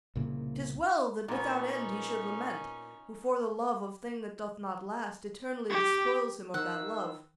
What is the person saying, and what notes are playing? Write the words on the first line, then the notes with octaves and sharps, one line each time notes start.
'Tis well that without end he should lament, Who for the love of thing that doth not last Eternally despoils him of that love!
C2 A#2 C#3 A#3
A#2 B3 C#4 D#4
G4
D#3 F#5 E6